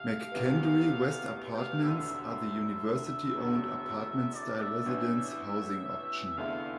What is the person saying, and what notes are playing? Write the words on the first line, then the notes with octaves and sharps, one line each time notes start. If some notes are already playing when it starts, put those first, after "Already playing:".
McKendree West Apartments are the university-owned apartment-style residence housing option.
Already playing: C2 C3 F5
E1 E2 C3 E3 B3
F5
G5
F5
E1 D2 D3 E5
E5
E1 E2 D3
E5
D5
D5
E5
A1 A2 E3 B3 D4
F1 E2 D3 A3 E4 F5